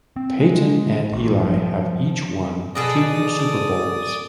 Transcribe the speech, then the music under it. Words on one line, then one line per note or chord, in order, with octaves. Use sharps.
Peyton and Eli have each won two Super Bowls.
C4
G#3
A1
F3
B2 G#4 A4 D5 D6 D#6